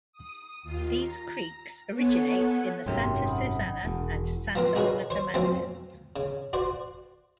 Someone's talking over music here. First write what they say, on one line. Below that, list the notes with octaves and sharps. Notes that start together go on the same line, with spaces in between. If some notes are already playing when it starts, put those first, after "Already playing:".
These creeks originate in the Santa Susana and Santa Monica Mountains.
D#6
D#2 F4
A#5
B3 A4 C#5 F#5 G#5
G#1 F#2 C3 C#5 G5 C6
F#5 B5 D#6
E1
F3 B3 C4 A#4
D#4 F#4 G#4 A#4 B4 C#5
C5 C#5
F2 F3 F#3 C4 C#4
C#3
F#4 C5 D5